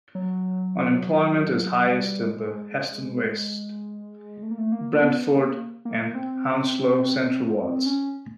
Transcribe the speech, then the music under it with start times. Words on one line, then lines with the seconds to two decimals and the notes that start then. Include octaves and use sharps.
Unemployment is highest in the Heston West, Brentford and Hounslow Central wards.
0.15 F#3
1.86 G3
2.29 G#3
2.72 G#3
4.43 A3
4.51 A#3
4.58 A3
4.72 A#3
5.00 B3
5.28 A#3
5.85 A#3
6.15 C4
7.86 C#4